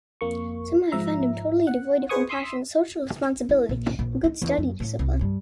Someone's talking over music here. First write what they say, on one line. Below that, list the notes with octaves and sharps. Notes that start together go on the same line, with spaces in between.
Somehow I found him totally devoid of compassion, social responsibility, and good study discipline.
F2 A#3 C#6
G#2 F3 E5 A#5
F#5
G#4 B4 C5 G#5 C#6 D#6
C6 D#6 E6 B6
E4
A#1
A#1
D#4
E2
F#2
A2
C2
G2